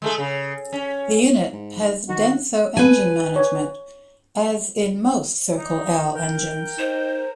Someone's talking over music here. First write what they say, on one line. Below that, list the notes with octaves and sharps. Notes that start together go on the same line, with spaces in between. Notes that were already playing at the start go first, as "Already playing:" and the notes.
The unit has Denso engine management, as in most Circle L engines.
G#3 A3 A4
C#3
C#4
G#2
D#3 F#4
B4 G#5
C#5
D#4
A#4 G5
D#4 C5